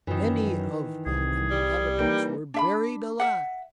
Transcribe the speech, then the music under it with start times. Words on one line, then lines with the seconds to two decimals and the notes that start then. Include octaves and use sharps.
Many of the inhabitants were buried alive.
0.07 F#2 D#3 E3
1.06 C2 G#4
1.51 G3
1.98 E3 A#3 D#4 G5
2.54 D4 E5 B5
3.20 E5 F#5